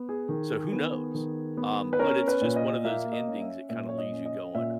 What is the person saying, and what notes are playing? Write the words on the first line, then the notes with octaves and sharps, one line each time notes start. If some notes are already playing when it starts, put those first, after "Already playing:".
So, who knows? Um, but it's just one of those endings that kinda leaves you going,
Already playing: B3
G#4
D#3
B3
D#3
B3
B4
C#4 A#4
B4
A#2
D#5
A#3 E5
D#5
C#4
E5
A#2 E5
C#5
D#5
C#4
D#5
A#2 E5